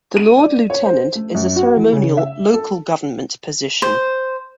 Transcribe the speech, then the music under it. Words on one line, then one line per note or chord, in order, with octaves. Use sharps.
The Lord Lieutenant is a ceremonial local government position.
D#7
D5
C#5
C5
A3
F#2
F#4
E3
C#3
E5
A4
C5